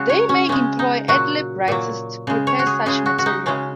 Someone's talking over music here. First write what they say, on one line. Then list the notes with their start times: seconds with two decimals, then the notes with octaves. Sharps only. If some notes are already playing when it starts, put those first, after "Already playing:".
They may employ "ad-lib writers" to prepare such material.
Already playing: C#3 G#3 F#4
0.09 C#5
0.29 C#4
0.49 C#3 G#3 C#4
0.79 D#4
1.08 A#2 F#3 F#4
1.68 A#2 F#3
2.27 C#3 G#3
2.47 C#5
2.59 F#4
2.67 G#4
2.86 C#3 G#3 G#4
3.06 F#4
3.18 F#4
3.26 D#4
3.46 C#3 G#3 C#4